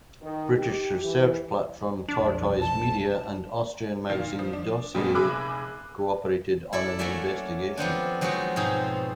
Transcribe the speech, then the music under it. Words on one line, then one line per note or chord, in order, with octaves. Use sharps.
British research platform Tortoise Media and Austrian magazine Dossier cooperated on an investigation.
D#3
G4
E3
F1 B1 F2 D4
A5
A#2 D#3 F5
F3
D4
F2 A#2 G3 G#3 A#3 B3
F1 G#4 B5 D6 E6 F#6
E4 A4 D5
F#3 A3 A#3 C#4 D5 E5
F3 B3 C4 D4
F3 F#3 G#3 D#4 F#4
G#2 B2 F3 C4 D#4 G#4